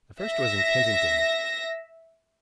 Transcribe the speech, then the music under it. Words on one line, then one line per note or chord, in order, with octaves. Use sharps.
The first was in Kensington.
E5 A#6